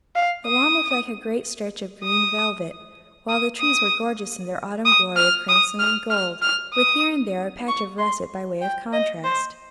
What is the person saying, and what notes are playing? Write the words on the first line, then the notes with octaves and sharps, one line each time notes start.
The lawn looked like a great stretch of green velvet, while the trees were gorgeous in their autumn glory of crimson and gold, with here and there a patch of russet by way of contrast.
F5
D#6
D#6
D#6
D#6
D#6
F6
D#6
F6
F6
F6
D#6
C#6
C6
G5
D#5
C5